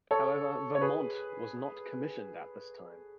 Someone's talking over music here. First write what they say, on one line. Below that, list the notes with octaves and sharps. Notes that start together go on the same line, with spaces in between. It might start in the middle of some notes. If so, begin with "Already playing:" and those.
However "Vermont" was not commissioned at this time.
A4 C#5
C#5
G#4 B4